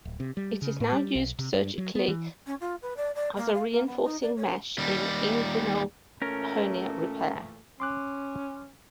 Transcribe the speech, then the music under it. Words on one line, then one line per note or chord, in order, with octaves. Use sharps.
It is now used surgically as a reinforcing mesh in inguinal hernia repair.
D1
C3
G3
C#3
A2
G3
B1
C3
G2
F#3
B3
E3
C#4
F4
B4
D5
D5
A#3
F5
A#3
B3
D#4
D5
C#5
D#2 G3
A#2 E3 A3 C#4 A#4
C#4 C6 D6 F#6